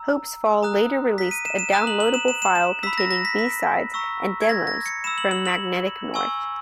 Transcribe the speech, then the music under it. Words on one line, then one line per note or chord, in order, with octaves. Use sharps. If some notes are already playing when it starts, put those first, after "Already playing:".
Hopesfall later released a downloadable file containing b-sides and demos from "Magnetic North".
Already playing: A#5 E6
A#5 D#6 F#6
B6
D#7
E7
E7
A#5 D#6 F#6 E7
F#7
F#7
E7
E7
E7
E7
B5 E6 B6
A#6
A#6
B6
B6
A#5 C#6 E6
G#6
A#6
A#6
C#7
B5 E6 E7
F#7
F#7
F#7
G#5 C#6 E6